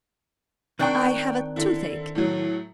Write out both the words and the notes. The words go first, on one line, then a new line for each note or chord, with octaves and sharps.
I have a toothache.
D#3 C4 D4 G5 C#6 F#6
D3 E4
A2 F#3